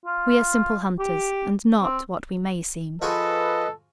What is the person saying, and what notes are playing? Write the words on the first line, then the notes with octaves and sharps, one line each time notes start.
We are simple hunters, and not what we may seem.
F4
G4
C4
F3 F#4 G#4 A4 B4 D#5